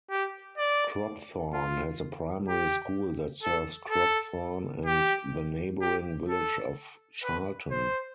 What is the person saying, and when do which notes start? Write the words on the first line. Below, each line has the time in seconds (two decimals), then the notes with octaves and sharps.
Cropthorne has a primary school that serves Cropthorne and the neighbouring village of Charlton.
0.11 G4
0.58 D5
1.53 F4
2.48 G4
3.43 A4
3.91 A4
4.86 G4
5.81 G4
6.28 A4
7.23 B4
7.71 C5